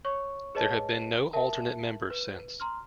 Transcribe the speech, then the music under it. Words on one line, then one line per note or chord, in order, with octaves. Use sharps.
There have been no alternate members since.
C#5 C#6
G#4 B4 C#5 D#5 A5
A#4 E5 A5
B4
A#5 C6 F6